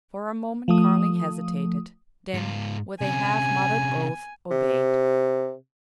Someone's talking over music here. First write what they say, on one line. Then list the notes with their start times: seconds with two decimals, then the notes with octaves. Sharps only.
For a moment Carling hesitated; then, with a half-muttered oath, obeyed.
0.68 F3 A3 D#6
2.34 G#2 F4
3.01 C3 C#4 G#5
4.51 C3